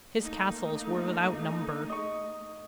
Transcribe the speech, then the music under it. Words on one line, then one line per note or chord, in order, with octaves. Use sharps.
His castles were without number.
A3 A#3 D#4
D#5 C#6